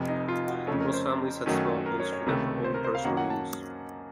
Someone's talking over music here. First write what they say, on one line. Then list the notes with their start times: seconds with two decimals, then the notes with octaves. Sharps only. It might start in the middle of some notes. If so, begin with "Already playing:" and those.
Most families had small boats for their own personal use.
Already playing: F1 F2 C3
0.08 D#4
0.28 F4
0.48 F#4
0.67 F2 C#3 A3 C#4 A4
0.80 A#4
0.94 C5
1.46 F#2 D#3 F#3 A3 C#4
1.86 A#4
2.00 C#5
2.13 C#5
2.26 C#2 C3 D#3 A3 C#4
2.64 C5
2.74 A#4
2.84 C5
2.95 F5
3.04 F#2 D#3 A#3 C#4 F#5
3.17 F#5
3.30 A5